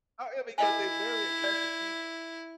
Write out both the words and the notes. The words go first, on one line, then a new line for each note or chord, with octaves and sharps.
however because they're very aggressive people.
E4 A4 D#5 G#5
D5